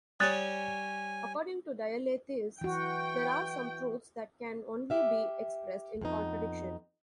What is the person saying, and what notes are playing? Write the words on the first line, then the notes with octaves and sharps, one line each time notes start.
According to dialetheists, there are some truths that can only be expressed in contradiction.
G3 C#4 G#5 D#6 F#6 A6
E3 F#4 G5
G4 E5 F5
F2 B3 D#4